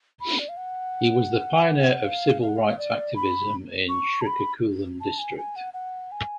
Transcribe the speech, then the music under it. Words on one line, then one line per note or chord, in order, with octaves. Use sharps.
He was the pioneer of Civil Rights Activism in Srikakulam District.
B5
D5
F5
F#5
F5
F5
F#5
F5
F5
D5
B5
C#6
A5
B5
A5
G#5
G#5
F#5
F#5
G#5